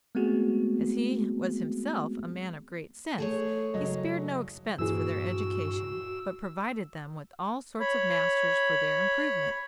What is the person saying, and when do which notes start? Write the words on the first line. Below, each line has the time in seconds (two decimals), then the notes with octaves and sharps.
As he was himself a man of great sense, he spared no expense for their education, but provided them with all sorts of masters for their improvement.
0.15 G#3 A3 B3 C4 F#4 G#4
3.18 A3 G#4 C#5
3.74 F#1 F#3 D#5
4.79 G2 A#2 E3 F#4 G#4 E6
7.80 C#5 B5